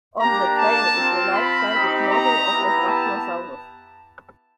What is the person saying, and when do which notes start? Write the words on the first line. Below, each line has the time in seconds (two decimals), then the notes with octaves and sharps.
On the trail is a life-sized model of a brachiosaurus.
0.19 A#3 D4 G4 A#5
0.57 A5
0.95 C4 F4
1.34 B5
1.72 C4 D#4 G4
2.11 A#5
2.48 B3 E4 G4
2.87 A5